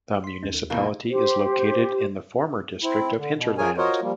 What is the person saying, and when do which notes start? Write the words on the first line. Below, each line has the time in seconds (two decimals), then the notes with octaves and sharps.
The municipality is located in the former District of Hinterland.
0.24 C6 B6
0.43 E2 C#4 D#4
0.54 D#2
0.70 B2 E3 A#3
1.10 G4 C5
2.83 C4 E4
3.17 D3
3.35 B2
3.58 F3 G#4 A#4 C#5 G#5
3.77 F4 F#4 A#4 C5 C#5 D#5
4.02 F3 G3 A#3